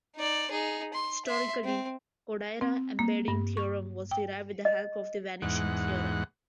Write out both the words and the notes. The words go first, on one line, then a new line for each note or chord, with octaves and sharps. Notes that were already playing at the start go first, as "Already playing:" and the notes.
Historically, Kodaira embedding theorem was derived with the help of the vanishing theorem.
D#4 D5
D#4 G#4
C6
E5 C6
C4
C4
A#3
G2
C#6
G5
D#5
E2 G#2 F#5